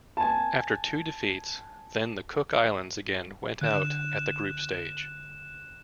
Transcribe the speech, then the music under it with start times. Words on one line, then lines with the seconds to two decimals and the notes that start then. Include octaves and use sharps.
After two defeats, then, the Cooks Islands again went out at the group stage.
0.17 G#5 A5
3.61 D3 F#6 E7